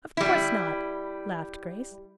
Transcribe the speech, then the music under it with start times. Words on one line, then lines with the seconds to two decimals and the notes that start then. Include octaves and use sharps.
"Of course not," laughed Grace.
0.17 G3 E4